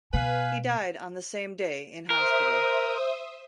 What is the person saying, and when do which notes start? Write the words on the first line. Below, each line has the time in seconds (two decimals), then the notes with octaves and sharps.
He died on the same day in hospital.
0.14 B2 B4 F5 G#5
2.10 A#4 C5 E5 D#6